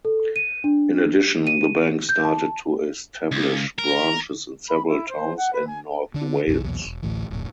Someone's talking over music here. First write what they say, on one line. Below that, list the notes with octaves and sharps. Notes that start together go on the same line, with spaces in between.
In addition the bank started to establish branches in several towns in North Wales.
A4
D#7
D4
D#7
G6
A5
C#2
A#4
B5
E4
C5
F#5
B4
G#5
D3 D4
B1 F2 B2 E3
B1 E2 A#2
E1
A1 D2 A2 E3
D1 F#2 A#2